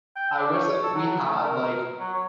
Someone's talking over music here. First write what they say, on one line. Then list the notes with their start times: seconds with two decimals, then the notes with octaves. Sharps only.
I wish, like, we had, like
0.16 G5
0.38 D4
0.53 C#5
0.82 A4
0.95 F#3
1.21 A3
1.44 A#4
1.99 F#3
2.14 C#5